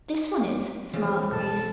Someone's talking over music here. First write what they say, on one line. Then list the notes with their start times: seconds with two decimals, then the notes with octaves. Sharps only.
"This one is," smiled Grace.
0.93 F2 C#3 E3 G3
1.32 B2 G#3 C4 A4